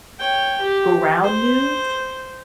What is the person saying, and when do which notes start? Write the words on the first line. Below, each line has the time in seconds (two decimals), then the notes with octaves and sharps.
Ground News?
0.19 C#5 G5
0.62 G4
1.24 C5